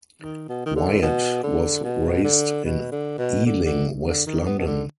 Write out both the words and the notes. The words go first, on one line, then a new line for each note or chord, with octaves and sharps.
Wyatt was raised in Ealing, West London.
D#3
B2
D#3
D3
B2
D3
B2
D3
B2
D3
B2
D3
D3
D3
D#3
B3
B2
D3